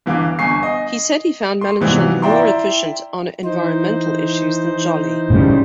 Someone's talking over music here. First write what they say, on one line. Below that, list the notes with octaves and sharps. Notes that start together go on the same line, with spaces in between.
He said he found Melenchon more efficient on environmental issues than Joly.
G1 E3 F5 D6
G1 G#5 C#6 C7
D#5
C6
G#2 C3 E3 F3 G3 B3
E4 D5 E5 G5 A#5 C6
E3 D#4 C5
A2 C#3 G3